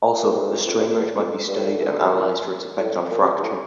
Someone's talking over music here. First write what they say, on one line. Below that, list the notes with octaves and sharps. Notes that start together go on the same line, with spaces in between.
Also, the strain rate may be studied and analyzed for its effect on fracture.
A#2
A2
G2
F2
F2
G2
F2
E2
F2
G2
A2
A#2
D3
E3
D3
C3
A#2
A2
A#2
C3
G2
A2